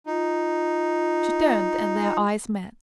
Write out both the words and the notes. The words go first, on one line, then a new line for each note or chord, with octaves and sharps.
She turned and their eyes met.
D#4 F4